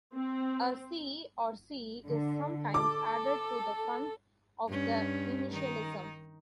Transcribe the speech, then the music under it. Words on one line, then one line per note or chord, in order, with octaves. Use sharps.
A "c" or "C" is sometimes added to the front of the initialism.
C4
D3
A4 D6
G2 C#4
D#3 D#4